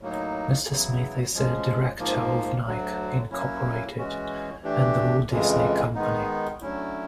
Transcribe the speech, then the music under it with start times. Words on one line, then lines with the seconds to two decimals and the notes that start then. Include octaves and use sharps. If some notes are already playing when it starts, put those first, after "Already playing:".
Mr. Smith is a director of Nike, Incorporated and The Walt Disney Company.
0.01 A2 F#3 A#3 D#4
0.67 E2 C#3 F#3 B3 E4
1.33 F3 G#3 C#4
1.99 G#2 F3 A#3
2.66 D2 D3 F#3
3.31 F#3 A#3 C#4 E4
3.97 E3 G#3 C#4 F#4
4.63 E3 A3 D4 G4
5.29 F2 C#3 E3 G#3
5.95 D#3 G#3 B3 D#4
6.61 D3 F#3 A3 C#4 E4